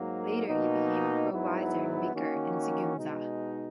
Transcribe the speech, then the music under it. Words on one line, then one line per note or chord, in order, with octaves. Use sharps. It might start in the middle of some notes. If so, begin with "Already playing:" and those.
Later he became a provisor and vicar in Sigüenza.
Already playing: G#2 F#3 A#3
B2 A#3 D#4
G#2 F#3 B3 E4
D#3 A#3 C#4 F#4
B2 G#3 D#4